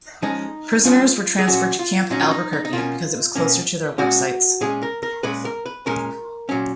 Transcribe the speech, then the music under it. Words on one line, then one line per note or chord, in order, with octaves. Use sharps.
Prisoners were transferred to Camp Albuquerque because it was closer to their work sites.
F3 G#3 C#4 D#4
F3 G#3 C#4 F4
G#4
A#2 F#3 C#4 F#4
F4
A#2 F#3 C#4 D#4
F4
D#4
D#4
D#4
B2 A#3 C#4 F4
B2 A#3 C#4
A#2 G#3 C#4 F#4
A#2 G#3 C#4 G#4
A#4
A#4
A#2 G#3 C#4 B4
A#4
B4
A#2 G#3 C#4 A#4
A#2 F#3 C#4